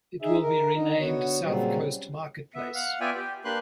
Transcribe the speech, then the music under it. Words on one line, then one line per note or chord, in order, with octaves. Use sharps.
It will be renamed South Coast Marketplace.
D#4 G#4 E5
A#4
D3 D#4
D3 B3 F#4 C#5
A#2 C#3 F#3 G3 C4
B3 E5
F5 F#5
B3 F4 D5 E5 G5 G#5
G4
A#3 D4 G4 B4 C6 F#6